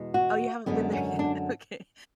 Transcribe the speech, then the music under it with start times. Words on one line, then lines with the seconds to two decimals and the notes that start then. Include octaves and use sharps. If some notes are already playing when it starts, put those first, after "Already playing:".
Oh, you haven't been there yet? Okay,
Already playing: E2 B2 G#3
0.14 F#4
0.66 F#2 D3 G#3 B3
0.93 C#4
1.19 D4